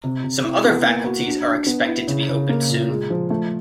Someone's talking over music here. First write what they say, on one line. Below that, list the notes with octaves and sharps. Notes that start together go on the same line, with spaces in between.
Some other faculties are expected to be opened soon.
C3
C3
E4
B3
A#3
F#4
D4
D4
B3
E4
C#3
C#3
A#3
A#2
G#3
F3
A3